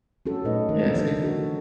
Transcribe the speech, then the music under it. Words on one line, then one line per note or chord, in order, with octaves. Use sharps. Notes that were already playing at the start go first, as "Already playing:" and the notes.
yeah, see
C#4 F#4 A4
A#2 F#3 A3 D#4 B4 D#5
D#3 F3 A4 A#4
E3 A#3 D4
F#4 A4